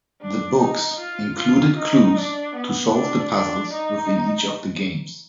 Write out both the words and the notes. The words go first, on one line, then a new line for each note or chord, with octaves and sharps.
The books included clues to solve the puzzles within each of the games.
D4
D#4
F4
F4
D#4
D4
B3
D4
D4
D#4